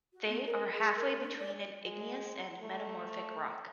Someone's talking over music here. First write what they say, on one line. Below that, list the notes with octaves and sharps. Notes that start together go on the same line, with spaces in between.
They are halfway between an igneous and metamorphic rock.
F#4
B3
A#4
G#4
A#4
D4
D5
G#3
A3